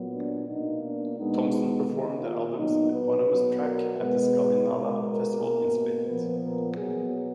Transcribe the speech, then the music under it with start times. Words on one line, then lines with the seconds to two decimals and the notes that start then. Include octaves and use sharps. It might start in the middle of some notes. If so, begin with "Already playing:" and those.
Thompson performed the album's eponymous track at the Skalinada festival in Split.
Already playing: A#2 F#3 B3
0.14 D4
0.49 B2 A#3 D#4
0.83 D4
1.18 B2 G#3 B3 D#4
1.53 D#4
1.88 D#3 A#3 D#4
2.23 F4
2.58 A#2 F#3 B3 D#4
2.93 B4
3.28 B2 F#3 B3
3.62 A#4
3.97 B2 G#3 B3 B4
4.68 B2 G#3 B3 A#4
5.02 A#4
5.38 B2 A#3
6.07 A#2 F3 B3 B4
6.42 A#4
6.76 B2 F#3 B3 G#4